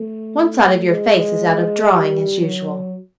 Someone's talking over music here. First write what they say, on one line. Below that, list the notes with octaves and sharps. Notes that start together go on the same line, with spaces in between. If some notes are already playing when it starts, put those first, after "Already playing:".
One side of your face is out of drawing, as usual.'
Already playing: A3
G#3
G3
F#3